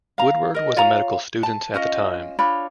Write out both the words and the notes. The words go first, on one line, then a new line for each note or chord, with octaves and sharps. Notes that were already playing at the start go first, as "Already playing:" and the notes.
Woodward was a medical student at the time.
F5 A#5
A#4 D#5
F4 C#5 F5 A#5
A5
C#4 F4 D#5
D4 F4 C#5 B5